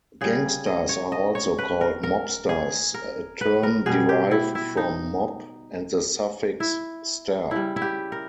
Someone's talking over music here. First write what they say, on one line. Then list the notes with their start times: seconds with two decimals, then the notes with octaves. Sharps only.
Gangsters are also called mobsters, a term derived from "mob" and the suffix "-ster".
0.21 C#3 G3 G#4
0.66 D#5
0.89 C#5
1.12 D#5
1.35 C#5
1.58 B4
1.81 A#4
2.03 A#4
2.49 G#4
2.94 A#4
3.41 B4
3.63 A#4
3.86 B2 G3 G#4
4.09 G4
4.31 E4
4.55 E4
4.77 D#4
6.60 E4
7.51 C#3 G3 E4
7.76 E4
7.82 G4
8.12 A#4